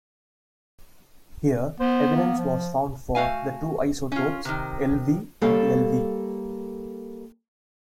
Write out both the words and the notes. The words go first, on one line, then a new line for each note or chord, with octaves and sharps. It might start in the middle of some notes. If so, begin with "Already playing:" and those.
Here evidence was found for the two isotopes Lv and Lv.
B3 C5
A#3
F3
A3 F#4 F5 G#5
C#4 F4
C3 D#3
G3 A#3 A4 C#5 F5 A5